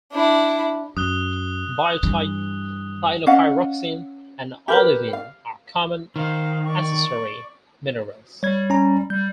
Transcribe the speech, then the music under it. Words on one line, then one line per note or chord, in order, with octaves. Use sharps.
Biotite, clinopyroxene and olivine are common accessory minerals.
D4 E4
F#2 D#6 F#6 G7
G2 E3
C#4 D#5 F5 F#5
G4 A#4 B4
F5
D#3 C5 F5
D5 C#6
G3 C#5 G#6
C#4 A#5
G3 G6